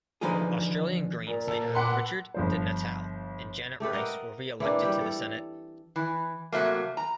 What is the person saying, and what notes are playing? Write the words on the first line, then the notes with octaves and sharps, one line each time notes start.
Australian Greens leader Richard di Natale and Janet Rice were re-elected to the Senate.
D3 E3 F3 D#4 F4 G#4
A#2
A#2 A4
B4 F#5 C6 D6
G1 F3 C5
A3 G4 A4 B4
A#4 D#5 F#5
E3 A#3 C4 D4
G3 G4
A4
E3
C3 F#3 A3 A#3
A#5